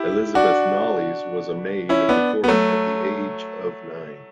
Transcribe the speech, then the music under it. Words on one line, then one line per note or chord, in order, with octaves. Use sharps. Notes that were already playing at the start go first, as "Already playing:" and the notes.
Elizabeth Knollys was a maid of the court at the age of nine.
Already playing: E4 G4
D4 F#4
C#4 E4
B3 D4
B3
F#3 A3